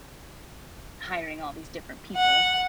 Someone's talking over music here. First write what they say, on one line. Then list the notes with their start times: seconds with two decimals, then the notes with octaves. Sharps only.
hiring all these different people.
2.16 F#5